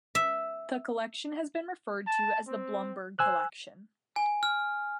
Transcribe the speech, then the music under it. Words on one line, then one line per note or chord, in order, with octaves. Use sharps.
The collection has been referred to as the Blumberg Collection.
E5
A5
C4
C5 G#5 E6 F#6
G#5
F6